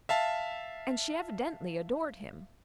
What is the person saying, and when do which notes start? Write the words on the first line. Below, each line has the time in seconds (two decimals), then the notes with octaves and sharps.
And she evidently adored him.
0.09 E5 F5 A5